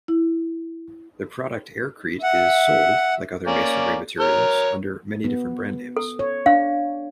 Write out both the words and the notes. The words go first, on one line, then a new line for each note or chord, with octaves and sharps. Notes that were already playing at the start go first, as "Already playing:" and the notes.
The product aircrete is sold, like other masonry materials, under many different brand names.
E4
E5 F#5
A#3 C#4 D5
A#4 C#5
B3
A4
C#5
D4 F5